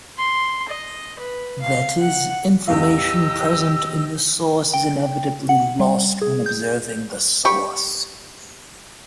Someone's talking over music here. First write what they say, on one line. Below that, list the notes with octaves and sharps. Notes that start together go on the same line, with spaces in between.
That is, information present in the source is inevitably lost when observing the source.
C6
D#5
B4
F5
F#5
A1 E2 G4 D#5 F5 E6
G5
F#5
G3
G#4
G6
G4 B5 C#6